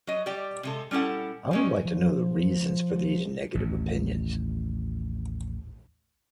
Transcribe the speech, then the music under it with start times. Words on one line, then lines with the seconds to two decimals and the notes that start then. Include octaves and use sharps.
I would like to know the reasons for these negative opinions.
0.07 F#3 D#5
0.26 G3 G4 D5 G5
0.63 C3 G#3 A4
0.91 G3 C#4 E4 A4 F#5
1.51 G3 G#3 C#4
1.85 F3
3.55 A1 D#2